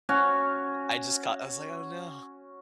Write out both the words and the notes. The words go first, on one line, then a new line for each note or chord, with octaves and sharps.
I just got I was like, "Oh no."
C#4 F#4 C#5